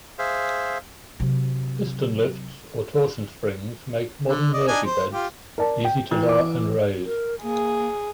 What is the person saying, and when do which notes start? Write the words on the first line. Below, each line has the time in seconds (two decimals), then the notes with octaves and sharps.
Piston-lifts or torsion springs make modern Murphy beds easy to lower and raise.
0.19 G#4 C5 E5 F5
1.20 C3 F#3
4.29 D3
4.54 D5 D#5
4.68 D4 D#4 G#5
4.86 C5
5.13 F4 G4
5.58 A#4 D5 A5
5.85 G5
6.11 E3
6.29 D6
7.05 A#4
7.43 A#3 G#4